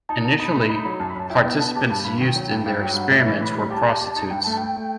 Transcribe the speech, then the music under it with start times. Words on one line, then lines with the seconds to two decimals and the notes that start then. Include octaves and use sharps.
Initially, participants used in their experiments were prostitutes.
0.09 D#4 A5
0.25 B2 A5
0.40 D#4 B5
0.55 A3
0.70 D#4
0.85 F#3
1.00 F#2 A5
1.10 B5
1.15 F#2 A5
1.30 E4 G5
1.45 B3
1.60 B3 A5
1.75 G4 A5
1.90 G2 A5
2.05 G2 B5
2.20 D#3 G5
2.36 F#3
2.51 G2
2.66 G2
2.80 F#3 G5
2.95 G2 F#5
3.11 A2 E5
3.26 E3
3.41 A2 B5
3.56 G3
3.71 G4 A5
3.86 G4
4.01 G4
4.16 D#4
4.31 G2 G5
4.44 A3 A5
4.57 A3 G5
4.76 A3